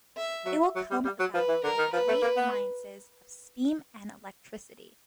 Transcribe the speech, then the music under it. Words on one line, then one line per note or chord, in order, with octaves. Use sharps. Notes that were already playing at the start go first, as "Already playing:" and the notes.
It will come about by the great alliances of steam and electricity.
E5
F#3
F#3
G3
G3
F#3
F3 B4
E3
D3 A#4
D#3
F3 B4
A3
A#3
B3